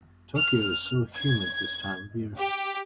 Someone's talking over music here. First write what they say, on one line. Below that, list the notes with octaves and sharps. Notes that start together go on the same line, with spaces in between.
Tokyo is so humid this time of year.
F6
G#6
G4